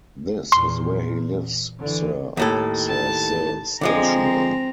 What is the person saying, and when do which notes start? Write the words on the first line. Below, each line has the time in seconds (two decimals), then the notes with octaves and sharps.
"This is where he lives, sir," says the stationer.
0.52 E2 A#2 C6
1.79 D3 E3
2.37 D#2 A2 A4
2.88 A5
3.81 D3 F3 G#3 C4 A#5